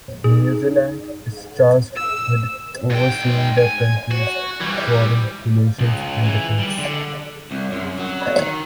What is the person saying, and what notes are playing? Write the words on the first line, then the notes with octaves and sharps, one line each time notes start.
New Zealand is tasked with overseeing the country's foreign relations and defense.
D#4 G#4
E6
G#2 G5
G#5
F#4
E3 G3
C#2
E3
G3
D3
C2
F#2
F#3
D#3